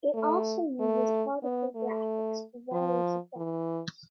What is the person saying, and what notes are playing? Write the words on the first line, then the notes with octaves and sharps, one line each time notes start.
It also uses particle graphics for various effects.
A3
A3
B3
A3
F3
E3